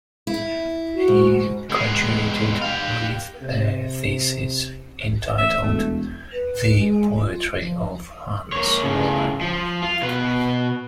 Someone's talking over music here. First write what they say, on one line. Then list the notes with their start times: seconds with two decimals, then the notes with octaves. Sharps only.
He graduated with a thesis entitled 'The Poetry of Hans Warren'.
0.27 E4
0.95 F#4
1.08 G#2
1.70 G#3 B3
2.62 G4 F5
3.41 C3
5.38 A1 E5
5.63 E1 A3
6.32 B4
6.76 G#3
7.22 F4
7.57 F3
8.52 A#3 C#5
8.82 A2 C#3
9.41 F3
9.82 F4
10.02 B2 B4